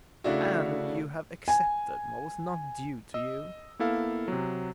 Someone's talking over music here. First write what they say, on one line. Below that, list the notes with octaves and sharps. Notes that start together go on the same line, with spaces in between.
"And you have accepted what was not due to you."
C#3 A3 D4 E4 F#4
G#5
D#5 E6
A#3 B3 E4 A4 F5
C3 F#3